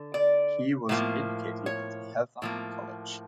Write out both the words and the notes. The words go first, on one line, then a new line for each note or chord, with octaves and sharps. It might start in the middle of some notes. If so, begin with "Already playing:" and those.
He was educated at Eltham College.
Already playing: D3
D5
A2 F3 A#3
C#5
A2 F3 A#3